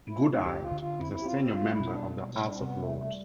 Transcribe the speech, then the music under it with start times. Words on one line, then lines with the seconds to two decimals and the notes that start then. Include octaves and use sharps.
Goudie is a senior member of the House of Lords.
0.08 E4
0.17 A3
0.45 D2 G4
0.63 F4
0.71 D3
0.81 F4
0.99 C4 E4
1.12 E4
1.21 G4
1.25 C4 F4
1.40 G4
1.53 G3 F4
1.71 E4
1.80 B2
1.89 D4
2.08 G3
2.35 G3
2.46 D4
2.54 C4
2.62 C3 B3
2.80 A3
2.89 G3
2.98 A3